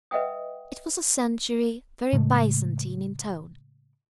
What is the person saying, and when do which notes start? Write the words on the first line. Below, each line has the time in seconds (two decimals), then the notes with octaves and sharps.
It was a century very Byzantine in tone.
0.11 B4 D#5 E5 F#5 G5 D#6
2.13 A2 C#3 G#3 A3